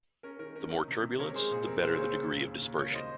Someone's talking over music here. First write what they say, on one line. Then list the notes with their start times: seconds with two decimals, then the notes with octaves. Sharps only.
The more turbulence, the better the degree of dispersion.
0.23 C#4 A#4
0.39 D#3 A#4
0.55 C#4 A#4
0.71 D#3
0.88 C3
1.03 C3
1.19 C3 A#4 C#5
1.35 G#3 G#4 C5
1.51 A#2 G#4
1.67 C4 A#4
1.82 C4 G#4 C5
1.98 A#2 A#4 C#5
2.15 C#3
2.31 D#2
2.47 D#2
2.62 D#2
2.78 C#2 A#4 C#5
2.94 C5 D#5